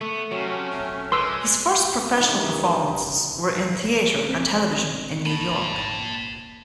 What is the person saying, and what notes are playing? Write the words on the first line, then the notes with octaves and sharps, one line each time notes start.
His first professional performances were in theater and television in New York.
A3 B3
C3 F#3 A3 C#4
G#3 B4 D5 C6 E6
G2 C3 D#3 E3 A#3 D#4
C4 B6
A#3 A5 B5